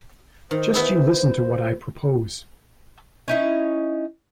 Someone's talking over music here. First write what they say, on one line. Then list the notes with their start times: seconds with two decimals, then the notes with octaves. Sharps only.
Just you listen to what I propose.
0.51 D#3 C5
0.74 B3 E4 G#4
3.28 C#4 D#4 E4